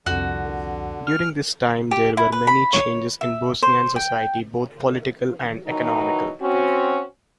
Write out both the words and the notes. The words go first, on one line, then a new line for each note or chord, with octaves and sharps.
During this time there were many changes in Bosnian society, both political and economical.
C2 F2 D3 F#4
F6
G4
E4
B4
B5
C#5
E5
C5
G5
B2 D#3 E3 F#3 D#4
C4 C#4 F#4